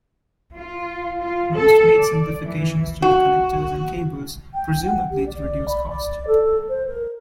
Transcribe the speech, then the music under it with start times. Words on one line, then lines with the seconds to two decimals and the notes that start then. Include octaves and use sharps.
Most made simplifications to the connectors and cables, presumably to reduce costs.
0.57 F4
1.21 F4
1.54 A4
1.97 D5
2.45 E3
3.02 F#4
4.54 G5
4.85 F#5
5.11 G4
5.26 D5
5.69 B5
5.89 D5
6.27 A4
6.69 C5
6.88 A#4